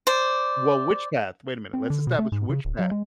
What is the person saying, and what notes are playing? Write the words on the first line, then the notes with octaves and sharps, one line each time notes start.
Well, which path? Wait a minute, let's establish which path.
C5 D5
C4
D3
B2
A3
G#2
C#3
D1
F#3
G#3